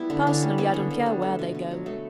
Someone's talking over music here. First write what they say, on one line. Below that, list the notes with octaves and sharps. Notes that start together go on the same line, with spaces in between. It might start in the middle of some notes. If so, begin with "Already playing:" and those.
Personally, I don't care where they go.
Already playing: G3 B3 E4
D3 D4
D3 C#4
G3
B3 C#4
D3
D3
G3
A3
B2
B2
F#3
A3 B3